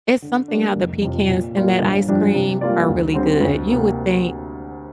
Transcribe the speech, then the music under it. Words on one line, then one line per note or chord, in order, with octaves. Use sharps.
It's something how the pecans in that ice cream are really good. You would think
D3
G3 A#3 D4
F1
F2 C3 F3
A#2
G3 A#3 F4 D5
G1
G2 F3 D4 G4
C3
G3 A#3 F4 D5
D2
D3 G3 C4
D2
C3 A#3